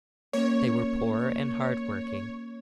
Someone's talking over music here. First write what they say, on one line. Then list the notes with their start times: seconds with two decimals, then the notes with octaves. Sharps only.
They were poor and hard-working.
0.33 A#3 C#4 C#5